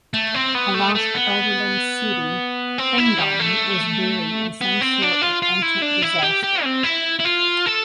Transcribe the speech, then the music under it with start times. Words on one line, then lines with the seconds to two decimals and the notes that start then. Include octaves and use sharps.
A lost Elderling city, Frengong was buried in some sort of ancient disaster.
0.14 A3
0.34 C4
0.55 B3
0.74 A3
0.95 A3
1.15 B3
2.78 C4
2.98 E4
3.18 G3
3.39 A3
4.61 B3
4.81 C4
5.02 D4
5.22 F4
5.42 F4
5.62 E4
5.82 D4
6.02 E4
6.23 G4
6.44 G4
6.64 C4
6.84 E4
7.20 E4
7.25 F4
7.66 A4